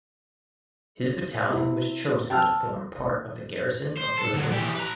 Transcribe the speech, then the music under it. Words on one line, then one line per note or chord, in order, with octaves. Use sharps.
His battalion was chosen to form part of the garrison of Lisbon.
C3 E4
G5 A5 E6 F6
C5
A4
D2 F#3
E3 G4
B4 A#5